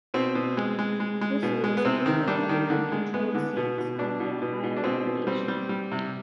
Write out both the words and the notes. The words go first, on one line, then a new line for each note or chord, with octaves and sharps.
This leaves eight Republican-controlled seats in the Ohio delegation.
B2 C4
B2
G#3
G#3
G#3
G#3
B2
G#3
B3
C3 C4
D#3
G3 D4
D#3
D3
G#3
G#3 B3
D3
B2
B2
B2 D4
B2
B2
B2
D4
B2 C4
B2
G3 C4
G3
G3
C3